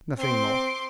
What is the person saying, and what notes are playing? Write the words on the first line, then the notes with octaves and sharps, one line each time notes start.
"Nothing more."
C4 C6 D6